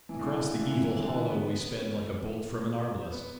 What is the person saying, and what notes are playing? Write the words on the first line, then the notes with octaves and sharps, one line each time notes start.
Across the evil hollow we sped like a bolt from an arblast.
E3
D3
E3
C#3
D3
E3
E3
E3
D3
B3
B3
B3
C#4
B3